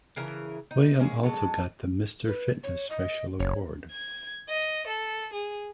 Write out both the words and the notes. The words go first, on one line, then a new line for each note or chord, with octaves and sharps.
William also got the Mister Fitness special award.
C#3 E3 A#4
D#4
G#3 A#3 C#4 G#4
F#3 G#3 A4
B4
C#5
D#5
F#1 C#5
G#6
D#5
A4
G#4